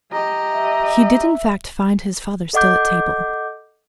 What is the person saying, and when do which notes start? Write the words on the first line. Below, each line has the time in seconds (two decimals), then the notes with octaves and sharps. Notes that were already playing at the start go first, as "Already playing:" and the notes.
He did in fact find his father still at table.
0.12 G4 D#5 A#5
0.50 E5
2.53 A4 D#5 F#5 D6 G6